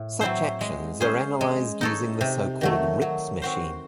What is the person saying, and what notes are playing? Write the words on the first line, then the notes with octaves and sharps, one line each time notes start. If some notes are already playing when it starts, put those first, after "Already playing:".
Such actions are analyzed using the so-called Rips machine.
Already playing: A2
F#3 C4 E4 C5
G#3
C#4 G#4 C5
G#3
D#4 A4 C#5
C3
D#3 F#3 A3
F#3
C4 F#4 C5